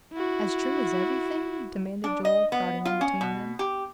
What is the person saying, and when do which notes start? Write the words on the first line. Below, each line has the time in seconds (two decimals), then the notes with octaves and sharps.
"As true as everything?" demanded Joel, crowding in between them.
0.13 E4 F#4
2.04 D4
2.25 D#5
2.52 B3
2.85 F4
3.01 C#4
3.21 B2
3.59 G4